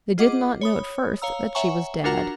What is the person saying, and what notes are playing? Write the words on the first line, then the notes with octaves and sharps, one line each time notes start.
They did not know at first that she was dead.
F4 G#4 D#5 F#5 D6
C#5 B5 D#6
C#5 F5 A#5 E6
C#5 E5 F#5 G#5 A#5 C#6
D4 F4 F#4 A#4 F#5 A#5